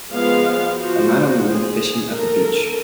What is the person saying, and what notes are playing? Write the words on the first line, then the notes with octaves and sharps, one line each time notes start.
A man and woman fishing at the beach.
F3 G#3 B3 F5
F3 F#4 C5
G#4
A4 A#4